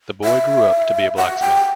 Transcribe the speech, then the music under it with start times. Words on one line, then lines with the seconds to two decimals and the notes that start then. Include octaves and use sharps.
The boy grew up to be a blacksmith.
0.24 E5
1.17 F#5
1.41 G5